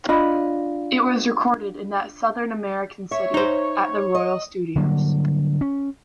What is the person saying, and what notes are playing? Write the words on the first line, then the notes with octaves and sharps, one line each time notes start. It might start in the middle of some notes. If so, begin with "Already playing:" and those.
It was recorded in that Southern American city at the Royal Studios.
D4 F4 D#5 B5
C#5 E5
D#4 C5
D#5
D3 F#3 G3 A#3
C#4